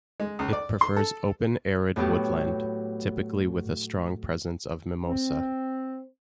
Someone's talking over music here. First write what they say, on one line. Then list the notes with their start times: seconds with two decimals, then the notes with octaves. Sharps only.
It prefers open arid woodland, typically with a strong presence of mimosa.
0.20 G#3
0.39 C#2
0.53 D5
0.81 C6
0.96 A4
1.96 A2 F#3 B3 G4
5.06 C4